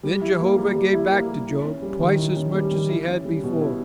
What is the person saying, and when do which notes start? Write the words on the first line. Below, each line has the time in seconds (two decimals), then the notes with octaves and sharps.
Then Jehovah gave back to Job, twice as much as he had before.
0.03 G3
0.21 E4
0.39 A#3
0.57 G3
0.75 G3
0.93 E4
1.11 A#3
1.28 G3
1.47 E4
1.65 C#4
1.82 G3
2.00 D#3
2.18 E4
2.36 C#4
2.54 G3
2.71 D#3
2.89 E4
3.07 C#4
3.25 G3
3.43 B2
3.60 E4